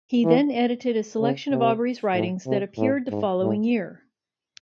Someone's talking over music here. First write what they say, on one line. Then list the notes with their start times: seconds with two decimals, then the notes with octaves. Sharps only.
He then edited a selection of Aubrey's writings that appeared the following year.
0.25 E3
1.21 C#3
1.51 C3
2.15 A2
2.47 C3
2.78 A2
3.11 G#2
3.42 A2